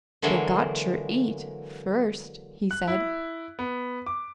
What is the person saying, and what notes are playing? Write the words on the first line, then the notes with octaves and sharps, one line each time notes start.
"They got ter eat--first," he said.
D3 E3 F#3 G#3 A#3
F#6
E4
B3
D6